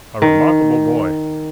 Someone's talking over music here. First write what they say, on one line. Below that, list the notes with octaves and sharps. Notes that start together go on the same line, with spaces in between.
'A remarkable boy!
D#3